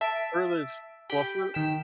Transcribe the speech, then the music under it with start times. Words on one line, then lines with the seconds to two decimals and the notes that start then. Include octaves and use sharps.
Furthest well, fur
0.01 E5 A5 D7
1.10 G4 G5 B5
1.54 D#3 G5 B6 E7